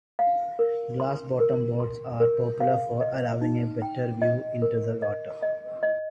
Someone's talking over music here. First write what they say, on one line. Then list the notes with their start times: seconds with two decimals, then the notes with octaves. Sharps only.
Glass-bottom boats are popular for allowing a better view into the water.
0.19 F5
0.59 A#4
1.00 C6
1.40 A#4
1.80 C6
2.20 A#4
2.60 F5
3.01 D#5
3.41 D#4
3.82 G5
4.22 D#5
4.62 A#4
5.02 D#5
5.42 D#5
5.83 D#5